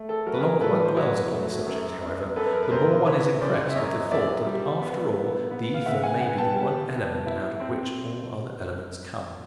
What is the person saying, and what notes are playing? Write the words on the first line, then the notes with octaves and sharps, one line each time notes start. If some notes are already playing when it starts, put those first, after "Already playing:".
The longer one dwells upon the subject, however, the more one is impressed with the thought that after all the ether may be the one element out of which all other elements come.
Already playing: A3
A4
F#3 A#4
B4
G#4 A#4
A2 A4 B4
C5
F#3 B4 C#5
A3
F#2
F#2
F#2 A4 B4
A#4
B4
F#2 A#4 C5
E3 B4 C#5
C#3 C5 D5
E5
F#2 C#5 D#5
F#2 D5 E5
G3
B3
B3
B3
F5
C#3 E5 F#5
F#5 G#5
B3 F#5 G#5
G5 A5
G3
B3
E4
C4